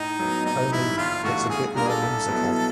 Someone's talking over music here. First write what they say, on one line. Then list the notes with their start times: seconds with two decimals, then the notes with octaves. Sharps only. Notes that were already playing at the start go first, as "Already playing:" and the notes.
Only it's a bit more whimsical.
Already playing: A2 D#4
0.19 F#3 B3
0.46 A#1 D#4
0.72 G#2 E3 G3 E4
0.97 G1 F4
1.23 G2 E3 A3 F#4
1.49 B1 G#4
1.76 A#2 G3 A#3 D4 A#4
1.85 G#4
1.88 A4
2.02 C2
2.28 B2 F#3 B3 E4